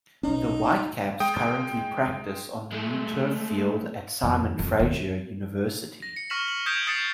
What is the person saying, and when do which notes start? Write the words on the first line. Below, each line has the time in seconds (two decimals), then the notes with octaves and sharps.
The Whitecaps currently practise on the new turf field at Simon Fraser University.
0.23 B1 C#4 D#4
1.20 G#3 G5 D#6
2.72 G#3 A3
4.23 F2 D#3
4.59 F2
4.79 D#2
6.02 A#6
6.16 C#7
6.30 C#6 F6 A#6 B6 E7 F#7
6.48 F#7
6.66 D#6 G6 G#6 B6 D7 E7
6.87 D#6 G6 A6 C7 C#7 E7